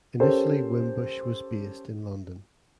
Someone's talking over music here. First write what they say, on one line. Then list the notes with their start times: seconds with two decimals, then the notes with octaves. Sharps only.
Initially Wimbush was based in London.
0.20 C#4 G4 A4 A#4 C5 C#5